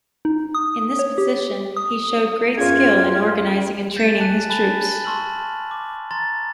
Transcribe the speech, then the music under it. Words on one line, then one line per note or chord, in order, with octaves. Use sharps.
In this position, he showed great skill in organizing and training his troops.
D#4
D#6
C#5
G4
D#6
F#2 C#4 F4 G#4 F5 G#6
G6 A6 B6 C7 E7
G#5 A5 F#6 D#7
G#5 A5 B5 F#6 A6 G7
A5 C6 C#6 E6 F6 F#7
D6
A#5 C6 A6